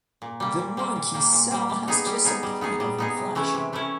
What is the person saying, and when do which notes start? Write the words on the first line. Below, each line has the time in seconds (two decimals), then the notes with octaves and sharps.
The monkey saddle has just a point of inflection.
0.22 A#2
0.40 G3 A#3
0.59 A#2
0.77 G3 A#3
0.96 A#2
1.14 G3 A#3
1.32 A#2
1.51 G3 A#3
1.69 G3
1.88 B3 D#4 G#4
2.06 G3
2.25 B3 D#4 G#4
2.43 G3
2.61 B3 D#4 G#4
2.80 G3
2.98 B3 D#4 G#4
3.17 C3
3.35 E3 A3 C#4 E4
3.54 C3
3.73 E3 A3 C#4 E4